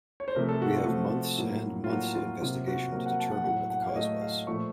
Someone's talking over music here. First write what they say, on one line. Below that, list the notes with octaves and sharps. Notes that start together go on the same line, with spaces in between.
We have months and months of investigation to determine what the cause was.
C#5
C5
C3 F3 A3 A#4
A4
F#4
F4
C3 F3 A3
A2 F#3 A#3
F4
A2 F#3 A#3 F#4
F4
C3 F#3 A#3 F4
F#4
C3 F#3 A#3 A#4
F#5
A5
F#5
A2 F#3 A3 F#5
F#5
F5
C#5
A2 F#3 A3 D#5
F5
A#2 F3 A3 C#6